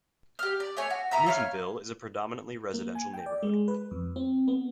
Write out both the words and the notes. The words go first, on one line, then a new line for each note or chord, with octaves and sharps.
Newtonville is a predominantly residential neighborhood.
G4 F6
D5
A3 C#5 G#5
F#4
E5 A#5 B5 E6
F4 C#5 E5 F6
A#3
G#5
G5
D5
G#3
B4
F2
C4
B3